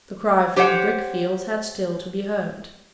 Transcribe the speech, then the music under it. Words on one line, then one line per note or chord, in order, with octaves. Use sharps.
The cry from the brickfields had still to be heard.
G4 C5 C#5 F#5